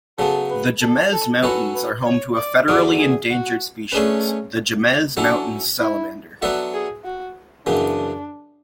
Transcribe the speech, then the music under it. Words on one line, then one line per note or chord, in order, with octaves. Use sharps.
The Jemez Mountains are home to a federally endangered species, the Jemez Mountains salamander.
C#3 F#3 B3 A4
B4
A4
A4
F#3 C#4 F#4 A4 B4
B4
C#5
D5
E2 D3 F#3 B3 D5
G#4
F#4
A3 C#4 D4 G#4 B4
F#3 C#4 D4 E4 A4
E4
F#3 B3 D4 F#4 A4 E5
G#4
F#4
F#2 C#3 E3 B3 D4